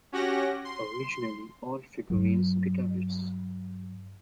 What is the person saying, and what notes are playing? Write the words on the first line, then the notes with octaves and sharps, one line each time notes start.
Originally all the Figurines guitarists.
C#4 F#4 G4 F#5 A#6
C6
G2 F#3